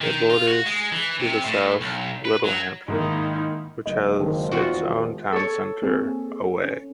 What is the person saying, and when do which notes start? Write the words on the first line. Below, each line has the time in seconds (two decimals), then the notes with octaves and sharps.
It borders, to the south, Littlehampton, which has its town centre away.
0.01 D#3
0.30 F4
0.48 F#4
0.66 G#3
0.92 E3
1.20 C3
1.45 A2
1.81 B1
2.25 B4
2.44 F#3
2.88 G#2 D#3 A#3 D#4 E4
3.86 F#1 D#5
4.20 D#3 F3 F#3 G#3
4.52 E2 F4 F#4
5.33 A4 C#5
5.82 A#3 C4 G#4
6.64 C#4